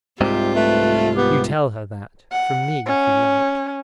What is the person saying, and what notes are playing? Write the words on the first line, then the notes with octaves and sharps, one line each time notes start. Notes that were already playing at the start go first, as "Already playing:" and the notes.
You tell her that--from me, if you like.
C2 G#2 C3 F4 G4
A3 B4
B3 G4
F#5
C#4